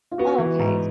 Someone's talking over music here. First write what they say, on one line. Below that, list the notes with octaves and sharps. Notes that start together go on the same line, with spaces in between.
Oh, okay.
F4
B3 F#4
E3
G#2